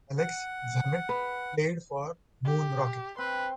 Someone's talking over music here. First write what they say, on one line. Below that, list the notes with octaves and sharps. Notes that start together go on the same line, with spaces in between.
Alex Zammit played for Moon Rocket.
F#5
B4
G4
C4 B4 C6